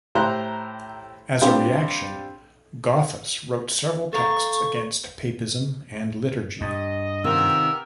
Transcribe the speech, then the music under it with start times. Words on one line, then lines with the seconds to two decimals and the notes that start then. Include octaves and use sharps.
As a reaction, Gothus wrote several texts against papism and liturgy.
0.15 A2 E4 G4 C5 A#5 F#6
1.41 G3 C4 D4 F4 G4 C5
4.13 A4 F5 A#5 C#6
6.61 G2 D#5
7.24 C3 D#3 B3 F4 G4 A#4 E6